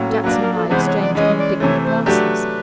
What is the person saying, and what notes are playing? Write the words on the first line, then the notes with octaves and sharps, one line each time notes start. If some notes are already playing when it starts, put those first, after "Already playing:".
Jackson and I exchanged indignant glances.
Already playing: A2 F#3 A#3 C#4 F#4
A4
F#3 A#3 D4 B4
A#4
A4
C3 E3 G#3 B3 C5
C#5
D5
E3 G#3 C#4 D#5
D5
C3 E3 A3 C#5
C5
F#3 A3 D4 G4 B4